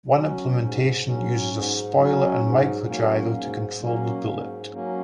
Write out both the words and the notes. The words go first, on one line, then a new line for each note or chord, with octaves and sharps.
One implementation uses a spoiler and micro gyro to control the bullet.
F#3 C#4
G#2
F#3 C#4
G#2
F#3 C#4
G#2
F#3 A#3 C#4
G#2
F#3 A#3 C#4
G#2
F#3 A#3 C#4